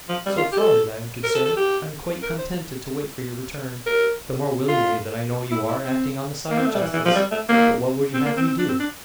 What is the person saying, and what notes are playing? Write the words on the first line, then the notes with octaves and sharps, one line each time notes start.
"So far as I am concerned, I'm quite contented to wait for your return; the more willingly that I know you are acting on the side of justice. But what would you have me do?"
F3
G3
F4
G4
A4
A#4
A4
A4
G4
A#4
C5
A#4
F4
E4
E4
C4
A#3
C4
A3
G3
E3
E3
F3
G3
A3
A#3
C4
A#3
C4
C4
D4
C4
D4